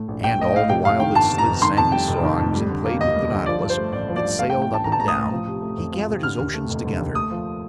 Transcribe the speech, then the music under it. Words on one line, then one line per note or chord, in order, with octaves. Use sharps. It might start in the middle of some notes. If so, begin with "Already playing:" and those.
And all the while that Slid sang his songs and played with the nautilus that sailed up and down he gathered his oceans together.
Already playing: A2 A3
A#1
A#1 G5
A3 D#5
A2 F5
C3 G5
F2 F5
D#3 G5
G1 A5
C3
A#5
F2
D#3 C6
F2 A5
G3 G5
F1
D#3
F2
G3
D3
A#3
D#2 D#5
G3
D3
F3 D5
G2
C5
A3
A1 D5
F3
D5
G2
A3 F5
G5
A2
G5
A1 A5
A1 A#5
A5
A3 A#5
D#6
A2
F3
C3
A3
F2
F3
C3
D3 F6
D#2
A3
F1
D3
D#2
A3 D#6
F3